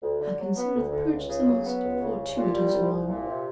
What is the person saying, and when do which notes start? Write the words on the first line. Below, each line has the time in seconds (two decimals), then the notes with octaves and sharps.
I consider the purchase a most fortuitous one.
0.02 D2
0.20 D3
0.38 F#3
0.57 B3
0.74 D2
0.92 D3
1.10 C#2
1.28 C#3
1.46 F#3
1.64 B3
1.83 C#2
2.01 C#3
2.19 C2
2.37 A#2
2.55 G3
2.73 C2
2.91 C2
3.09 A#2
3.27 C3